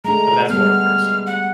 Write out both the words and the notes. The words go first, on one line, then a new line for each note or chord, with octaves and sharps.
but that's more in person.
G#3 A3 D4 A#5
G3 G#3 B3 F6
F#5